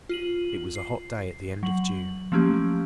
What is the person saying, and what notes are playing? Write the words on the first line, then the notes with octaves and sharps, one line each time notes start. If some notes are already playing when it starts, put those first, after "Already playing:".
It was a hot day at the end of June.
F4 D#7 F#7
C7
F#3 F#7
F3 A3 A#3 C#4 G4